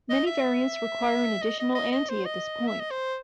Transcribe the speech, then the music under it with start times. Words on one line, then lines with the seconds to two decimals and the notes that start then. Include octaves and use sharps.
Many variants require an additional ante at this point.
0.10 D#5
0.27 E5
1.42 D#5
1.59 D#5
1.75 D#5
1.92 D#5
2.09 C5
2.26 D#5
2.68 E5
2.80 D#5
2.91 C5